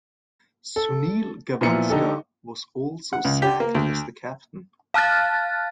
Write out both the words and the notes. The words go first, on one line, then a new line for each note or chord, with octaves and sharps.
Sunil Gavaskar was also sacked as the captain.
A4
A#2 F3 B3 E4 A#5 C#7
D3 D#4 G4 A4
F#5
C#2
G4
A#3
D2
F5 A5 F6 F#6 A6